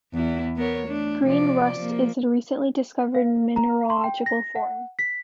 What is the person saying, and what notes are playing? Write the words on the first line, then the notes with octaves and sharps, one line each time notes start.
Green rust is a recently discovered mineralogical form.
E2 B3 E4
B3 A#4 C#5
A3 D4
C3 F3 D5
F3 A#3
F5
A#5
C6
G5
A#6
F#5
B6